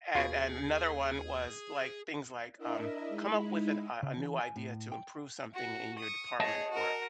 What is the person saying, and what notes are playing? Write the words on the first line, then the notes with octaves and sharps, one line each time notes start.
and and another one was, like, things like, um, "Come up with a a new idea to improve something in your department at work."
D#2 B2 F4 G#4
D4 E4 A#4 D#5 E5
G#3 D#4 E4 B5
C#3
E3
G#5
A2
G5
F#4
C#6 D#6
G#4 C#5 D#5 A5
F#4 A#4